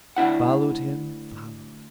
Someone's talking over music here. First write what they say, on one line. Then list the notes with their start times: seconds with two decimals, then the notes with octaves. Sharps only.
Followed him, followed.
0.16 D2 D4 E4 F#5